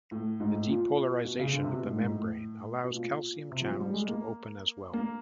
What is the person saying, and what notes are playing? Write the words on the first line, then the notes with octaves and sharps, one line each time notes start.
The depolarization of the membrane allows calcium channels to open as well.
A2
G#2
A2
A#2
B2
C#3
D3
C3
B2
A2
G#2
A2
B2
A#2
C3
F3
F#3
G3
G#3
A#3
A#3